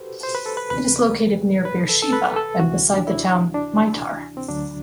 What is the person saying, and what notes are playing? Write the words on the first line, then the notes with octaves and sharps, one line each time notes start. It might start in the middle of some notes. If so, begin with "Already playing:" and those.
It is located near Beersheba and beside the town Meitar.
Already playing: F#4 G4 A4 B4 C5
C5
B4
A4
B4
D2 C3 E3 B4
B4
A4
A4
B4
A4
D2 C3 E3 F#4
D4
E4
D4
C4
D2 D3 F#3 D4